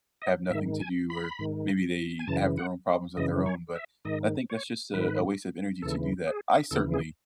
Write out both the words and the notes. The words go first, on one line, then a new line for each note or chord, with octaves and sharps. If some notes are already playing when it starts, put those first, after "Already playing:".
have nothing to do or maybe they have their own problems of their own, but I think that's just a a waste of energy to do that. I certainly,
D#5
G#2 D#3 E5
G#5
B5
G#2 D#3
G#5
F#2 C#3 E3 A5
F#5
F#2 C#3 E3 D#5
C#5
E5
G#2 D#3 D#5
C#5
G#2 D#3 B4
D#2 C#3 E3 A4
G#4
D#2 C#3 E3 A4
G#4